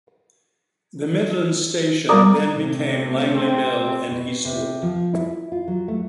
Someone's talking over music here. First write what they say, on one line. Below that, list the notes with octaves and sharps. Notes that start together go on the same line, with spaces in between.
The Midland station then became Langley Mill and Eastwood.
G3 A#4 D5 D#6
C3 A3
C4
B2
C3
F3
E4
F4
F#3
A3